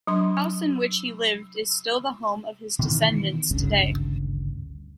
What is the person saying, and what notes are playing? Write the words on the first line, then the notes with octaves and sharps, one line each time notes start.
The house in which he lived is still the home of his descendants today.
F#3 D4 C6
B2 D#3 E3
G#1 D2 G2 C#3